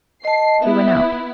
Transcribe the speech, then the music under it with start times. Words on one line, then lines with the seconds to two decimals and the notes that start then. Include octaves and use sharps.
She went out.
0.25 D#5 A5 C7
0.62 B3 E4 E5